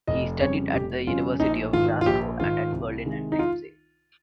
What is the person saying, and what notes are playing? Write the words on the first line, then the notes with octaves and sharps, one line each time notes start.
He studied at the University of Glasgow and at Berlin and Leipzig.
F1 D#5
F2 C#3 G3 C#4 C#5
F1 G4
F2 C#3 G3 C#4 F4
A#1 D#4
G#2 D#3 F4
F4
A#1 G4
G#2 D#3 F4
C2
C3 D#3 G#3
D#4
F4